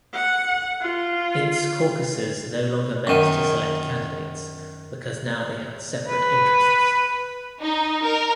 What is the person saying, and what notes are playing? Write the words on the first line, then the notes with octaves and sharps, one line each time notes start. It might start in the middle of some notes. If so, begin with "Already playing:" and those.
Its caucuses no longer met to select candidates because now they had separate interests.
F#5
F4
F#2 D#3
B4
D#4
A#4